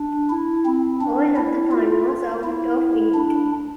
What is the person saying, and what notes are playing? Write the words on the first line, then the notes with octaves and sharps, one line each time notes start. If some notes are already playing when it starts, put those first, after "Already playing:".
All of the fun was out of it.
Already playing: D4
E4
C4
D4
E4
F4
E4
D4